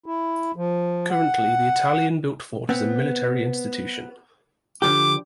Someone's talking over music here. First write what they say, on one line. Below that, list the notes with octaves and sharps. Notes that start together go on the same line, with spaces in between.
Currently the Italian-built fort is a military institution.
E4
F3
F#5
B3 C4
D3 F3 G4 D6